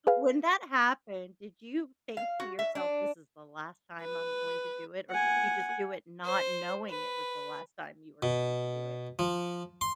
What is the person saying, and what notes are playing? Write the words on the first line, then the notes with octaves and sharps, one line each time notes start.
when that happened, did you think to yourself, "This is the last time I'm going to do it," or did you just do it not knowing it was the last time you were going to do it?
G#4 B4 F5
F5
F#4
E5
D4
B4
F#5 G#5
C5
B4
B2
F3
C6